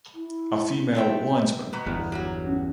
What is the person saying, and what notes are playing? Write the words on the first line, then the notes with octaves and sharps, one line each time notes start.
A female linesman.
E4
A3 C4 G5
B2 B3 A#5
G1 E2
F#3 G3 F#4
C#4